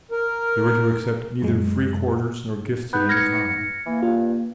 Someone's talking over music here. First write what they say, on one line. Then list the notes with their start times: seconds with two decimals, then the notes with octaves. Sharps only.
They were to accept neither free quarters nor gifts of any kind.
0.11 A#4
1.42 F#2 G#3
2.93 B3 D#4 B5 F#6 G6
3.09 F6 G#6 A#6 C#7
3.86 E3 A#3
4.02 G2 F4